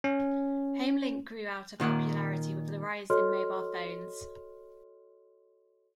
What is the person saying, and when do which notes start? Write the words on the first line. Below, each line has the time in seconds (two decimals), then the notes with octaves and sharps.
HomeLink grew out of popularity with the rise in mobile phones.
0.04 C#4
1.80 A#2 D#3 A#3 F#5
3.10 F#4 A4 C#5 D#5 C6 F6